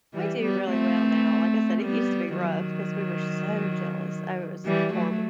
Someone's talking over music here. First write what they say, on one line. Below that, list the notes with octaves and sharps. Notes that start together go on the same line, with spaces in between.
We do really well now. Like I said, it used to be rough 'cause we were so jealous. Oh, it was horrible.
E3 G3
G3 B3
A3 C4
G3 B3
D#3 F#3
E3 G3
F#3 A3